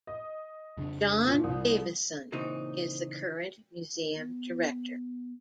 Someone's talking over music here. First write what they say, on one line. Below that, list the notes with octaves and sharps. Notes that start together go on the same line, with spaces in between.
John Davison is the current museum director.
D#5
F2 C#3 D4
A#2
C2 F3 G3 D#6
A#2 C#3 E3 C4 D#4
B3